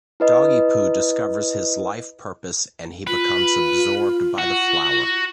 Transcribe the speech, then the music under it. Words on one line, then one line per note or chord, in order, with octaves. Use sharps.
Doggy Poo discovers his life purpose and he becomes absorbed by the flower.
E4 B4 D#5
F4 B4
F#4